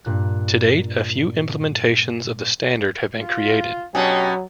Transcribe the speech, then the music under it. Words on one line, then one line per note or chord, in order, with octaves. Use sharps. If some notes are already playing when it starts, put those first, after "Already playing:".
To date, a few implementations of the standard have been created.
G2 A#2 F#6
F4
B2 D3 F#3 C#4 D4 G4 G#4